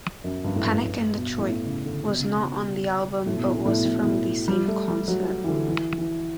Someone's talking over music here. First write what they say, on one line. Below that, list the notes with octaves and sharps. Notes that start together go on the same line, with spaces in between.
"Panic in Detroit" was not on the album but was from the same concert.
F#2
G2
A2
G2
G2
B2
A2
B2
C#3
D3
B2
C#3
B2
A2
B2
A2
B2
A2
B2
A2
B2
A2
G3
A3
G3
F#3
E3
D3
E3
E3